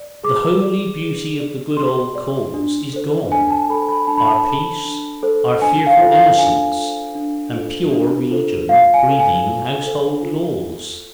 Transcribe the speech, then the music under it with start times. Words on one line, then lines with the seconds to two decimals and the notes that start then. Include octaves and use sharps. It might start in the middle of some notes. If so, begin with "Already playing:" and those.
The homely beauty of the good old cause Is gone; our peace, our fearful innocence, And pure religion breathing household laws.
Already playing: D5
0.23 G#4 D6
0.62 D5
1.01 G#4
1.39 D5
1.77 G#4 C6
2.15 D5
2.54 D4
2.93 A4 C5
3.31 D4 G#5
3.51 A5
3.69 A4 C5 B5
3.89 B5
4.07 D4 A5
4.18 B5
4.27 A5
4.46 A4 C5
4.85 D4
5.23 A4 C5
5.62 D4 G#5
5.86 F5
6.00 F4 A4 C5
6.12 F5
6.38 D4 G#5
6.76 F4 A4 C5
7.15 D4
7.53 F4 A4 C5
7.91 D4
8.30 F4 A4 C5
8.68 F4 F5
8.94 G#5
9.07 A4 C5
9.20 G#5
9.45 F4
9.83 A4 C5
10.22 F4